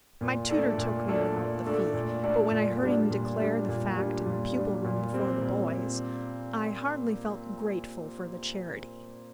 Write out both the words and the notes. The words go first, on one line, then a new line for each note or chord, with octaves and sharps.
My tutor took me without the fee; but when I heard him declare the fact in the pupil-room before the boys, I hardly felt grateful for the charity.
A#2
A3 D4 A4 D5
A#2
A3 D4 A4 D5
A#2
A3 D4 A4 D5
A#2
A3 D4 A4 D5
A#2
G3 D4
A#2
G3 D4
A#2
G3 D4
A#2
G3 D4
A#2
G3 C4
A#2